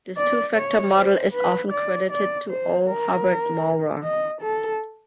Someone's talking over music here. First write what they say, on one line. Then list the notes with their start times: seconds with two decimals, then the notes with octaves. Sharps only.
This "two-factor" model is often credited to O. Hobart Mowrer.
0.18 D5
0.56 C#5
0.95 C5
1.33 B4
1.72 D5
2.10 D5
2.49 C5
2.87 A#4
4.03 D#5
4.41 A4